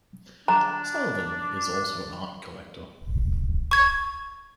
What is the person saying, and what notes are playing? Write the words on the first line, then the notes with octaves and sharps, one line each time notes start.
Sullivan is also an art collector.
D4 A#5
C#6 G#6